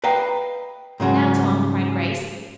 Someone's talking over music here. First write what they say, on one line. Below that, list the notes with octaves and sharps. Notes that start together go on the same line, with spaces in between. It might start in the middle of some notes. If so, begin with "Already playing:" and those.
"Now, Tom," cried Grace.
B4 D#5 F5 G5 A#5
G#2 C#3 F#3 G#3